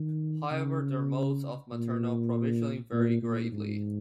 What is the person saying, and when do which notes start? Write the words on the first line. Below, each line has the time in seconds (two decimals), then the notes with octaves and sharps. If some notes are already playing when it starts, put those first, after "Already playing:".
However, their modes of maternal provisioning vary greatly.
Already playing: D#3
0.52 C#3
1.72 A#2
2.93 A#2
3.23 A#2
3.52 G#2